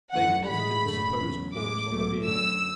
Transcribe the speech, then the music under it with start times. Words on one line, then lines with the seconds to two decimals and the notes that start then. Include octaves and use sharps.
They deposited the supposed corpse on the bier.
0.13 F#2 D3 A3 F#5
0.48 A2 E3 G#3 B5
0.84 F#2 D3 A3
1.19 E2 C#3 F#3
1.53 A2 G#3 D6
1.89 C#2 B2 F#3 A3
2.24 F#2 D3 F#3 A3 E6